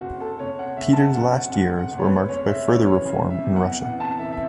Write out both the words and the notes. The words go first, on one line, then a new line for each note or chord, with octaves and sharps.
Peter's last years were marked by further reform in Russia.
F#1 F#4
A4
F#1 C#5
F#5
F#1 E5
A5
F#5
F#2 F#5
F#5
F#1 F#5
F#5
F#1
C#5
B4
F#1 C#5
E5
E3 C#5
C#5
C#3
E5
E2
F#5
E3 F#5
A5
E3 E5
E5